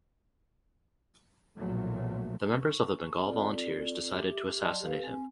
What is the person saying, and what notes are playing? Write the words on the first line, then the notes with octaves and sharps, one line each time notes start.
The members of the Bengal volunteers decided to assassinate him.
B1 E2 A#2 F3 F#3 A3
C#6
C4 F4 A4 D5
G4 E5 D6
F#3 D5 D#5 G5 A5 C6
G4 A4 B4 F5
C4 G#5